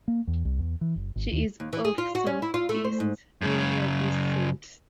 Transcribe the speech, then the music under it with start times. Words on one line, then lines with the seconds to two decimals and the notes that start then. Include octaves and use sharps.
She is of Southeast Asian descent.
0.08 A#3
0.27 E2
0.45 C2
0.59 E2
0.81 E3
0.96 F#1
1.16 G#1
1.32 D#2
1.60 D#2
1.73 E3
1.85 G#4
1.98 F4
2.15 F#4
2.27 C#4
2.42 E4
2.54 F4
2.69 A3
2.84 C5
3.00 G#2
3.42 F#2 C#3